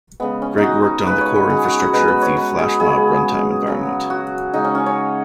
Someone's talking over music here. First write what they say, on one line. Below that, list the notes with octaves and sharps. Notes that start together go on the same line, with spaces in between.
Greg worked on the core infrastructure of the FlashMob run time environment.
C#3 G#3 B3
C#4
D#4
F#4
C#3 G#3 B4
C#5
B4
G#4
F#4
F#4
B2 G#3 B4
B4
C#5
B4
G#4
C#3 G#3 G#4
C#3 F#3
F#4
C#3 G#3 D#4
C#4
C#4
C#5